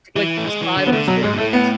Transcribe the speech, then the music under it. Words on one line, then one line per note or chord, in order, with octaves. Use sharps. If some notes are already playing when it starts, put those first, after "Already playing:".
Like, decide on the story, please.
E3
A3
G#3
E3
D3
B3
D3 A3
B2 F#3
G#2 G#3
B2
A2 A3
B3